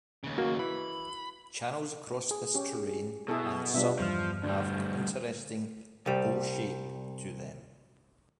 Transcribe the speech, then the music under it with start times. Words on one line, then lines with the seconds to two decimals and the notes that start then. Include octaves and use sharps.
Channels cross this terrain and some have an interesting bow shape to them.
0.24 D#2 C#3
0.38 A#3 F#4
0.59 E3 B5
2.31 G#4
2.54 C#4 G4
3.28 B2 E4 G#4 A4
3.74 B2 G3 B3 D4 F4 E5
3.99 E2 G2 F3 F6
4.43 D2 G3 D4
6.06 C2 G3